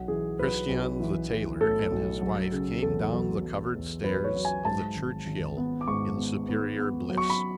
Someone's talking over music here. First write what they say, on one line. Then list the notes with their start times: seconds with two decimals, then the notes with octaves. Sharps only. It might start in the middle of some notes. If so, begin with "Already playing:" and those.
Christian the tailor and his wife came down the covered stairs of the church-hill in superior bliss.
Already playing: B1 F#5
0.08 E3 G#4
0.39 B1 B4
0.69 B1
1.00 E3
1.30 E3
1.61 A2 A4
1.91 B1
2.22 F#3
2.52 C#3
2.82 E2 A4
3.13 F#3
3.44 F#3
3.74 E2
4.04 F#3 B4
4.24 C#5
4.35 F#3
4.45 G#5
4.65 G#2 A5
4.96 G#1
5.26 G#1
5.57 B3
5.81 D6
5.88 G#2 C#6
6.18 B3
6.48 B3
6.79 B3
7.10 F#3
7.17 C#6
7.30 B5